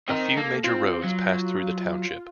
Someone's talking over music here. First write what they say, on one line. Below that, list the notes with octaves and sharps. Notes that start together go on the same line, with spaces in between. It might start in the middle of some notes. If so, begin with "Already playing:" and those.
A few major roads pass through the township.
C4 D#4 A#4
A#3 A4
C4 F4
F#3